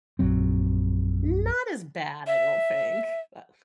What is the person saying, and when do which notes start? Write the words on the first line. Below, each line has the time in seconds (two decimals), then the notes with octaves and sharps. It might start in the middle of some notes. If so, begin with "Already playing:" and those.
Not as bad, I don't think, but
0.19 A#1 F#2 F#3 C4
2.27 E5